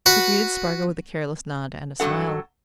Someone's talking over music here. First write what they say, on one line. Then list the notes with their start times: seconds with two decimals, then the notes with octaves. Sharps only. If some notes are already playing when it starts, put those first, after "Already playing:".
He greeted Spargo with a careless nod and a smile.
0.06 F#4 B4
2.00 G2 F#3 G3 A4 F#5